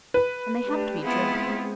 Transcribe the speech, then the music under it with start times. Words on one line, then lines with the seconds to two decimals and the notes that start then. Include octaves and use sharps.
And they have to be driven.
0.14 B4
0.66 A3 D4 G4
1.04 G#3 B3 C4 E4 F4 G#4